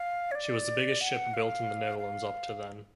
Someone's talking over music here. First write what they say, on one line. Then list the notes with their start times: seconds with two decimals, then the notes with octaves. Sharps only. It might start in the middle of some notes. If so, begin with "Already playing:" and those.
She was the biggest ship built in the Netherlands up to then.
Already playing: F5
0.31 C#5
0.35 D5
1.01 F#5
1.34 F5
1.99 F5